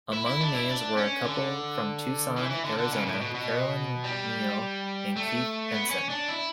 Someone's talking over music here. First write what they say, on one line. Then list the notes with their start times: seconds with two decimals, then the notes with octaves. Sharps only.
Among these were a couple from Tucson, Arizona, Carolyn Meinel and Keith Henson.
0.13 E4
0.27 E4
0.40 D4
0.55 E4
0.69 D4
0.97 C#4
1.24 D3
2.37 E3
2.51 E3
2.65 D3
2.78 D3
2.93 C#3
3.06 A2
3.21 B2
3.34 B2
4.04 G3
5.16 A3
5.72 B3
5.91 C#4
6.10 D4
6.28 E4